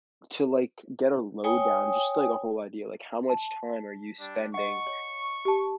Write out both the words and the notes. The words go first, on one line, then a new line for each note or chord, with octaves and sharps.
to like, get a lowdown, just, like, a whole idea, like, how much time are you spending,
C#5 G5 G#5 D#6
A5
G3 D4
D#5 F#5 C#6
C#5
G4 A5